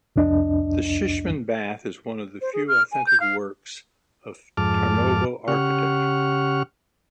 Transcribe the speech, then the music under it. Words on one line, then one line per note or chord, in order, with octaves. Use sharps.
The Shishman bath is one of the few authentic works of Tarnovo architecture.
C2 F2 D4 D#5
C5
G#4
F6
G#5
G6
F5
F2 G#2 A5 D6 F6
C#3 G4 F#5 C#6 F6